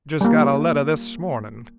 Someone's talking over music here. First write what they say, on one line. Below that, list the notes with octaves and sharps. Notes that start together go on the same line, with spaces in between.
'Just got a letter this morning.'
G3 A#3